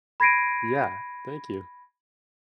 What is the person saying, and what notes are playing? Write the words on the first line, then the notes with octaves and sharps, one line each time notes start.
Yeah, thank you.
B5 G#6 A#6 C7 D7 D#7